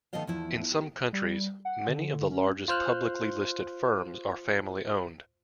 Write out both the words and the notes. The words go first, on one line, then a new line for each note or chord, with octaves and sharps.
In some countries, many of the largest publicly listed firms are family-owned.
D#3 A3 B3 A4 D#5 F5
E2 F3 E4
G4
G3
F#5
D3
D3
C#4
F4 C5 F6 F#6